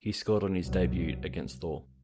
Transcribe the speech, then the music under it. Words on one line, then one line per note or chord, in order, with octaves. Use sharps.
He scored on his debut against Thor.
C2 B2 F#3